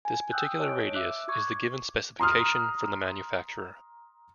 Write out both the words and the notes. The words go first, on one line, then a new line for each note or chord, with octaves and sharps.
This particular radius is the given specification from the manufacturer.
G#5
G5 D#6 E6 F#6 G6
C#5 D#5 A5 F#6 G6 D7
E5 D6 E6 F#6
C#6 D6 G#6
A#5 C6 D#6 F6